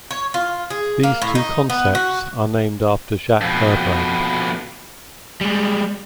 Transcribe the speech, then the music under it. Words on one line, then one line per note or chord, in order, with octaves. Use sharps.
These two concepts are named after Jacques Herbrand.
C#5
F4
G#4
A#3
A2
D#4
B3
F#4
F2 B2
G3 G#3